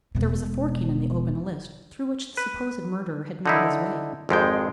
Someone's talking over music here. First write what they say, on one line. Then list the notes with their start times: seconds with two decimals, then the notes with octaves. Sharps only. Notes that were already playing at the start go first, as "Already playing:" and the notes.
There was a forking in the open list, through which the supposed murderer had made his way.
0.15 E1 B2
2.37 B4
3.46 D3 D#4 E4
4.29 G#1 F2 G#3 G5